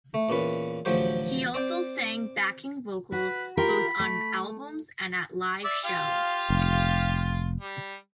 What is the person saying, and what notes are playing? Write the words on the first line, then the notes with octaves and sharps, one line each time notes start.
He also sang backing vocals, both on albums and at live shows.
A3
E2 A#2 C#4 B4
A1 D2 F3 F#3 G4 C5
C4 D5 G5
F#4 B4
F4 G4 A#4 B5
A3
D5 E5
F4 G4 F5
F1
G3